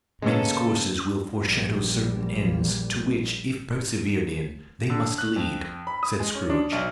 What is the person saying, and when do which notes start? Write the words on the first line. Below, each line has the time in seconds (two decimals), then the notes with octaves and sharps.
"Men's courses will foreshadow certain ends, to which, if persevered in, they must lead," said Scrooge.
0.22 C#3 G#3 A#3 B3 C#4 A4
1.43 A#1 G3
4.90 D3
5.18 F#6
5.36 F2
5.87 B5
6.03 D#6
6.20 G#3
6.35 C#4
6.50 D4
6.72 B1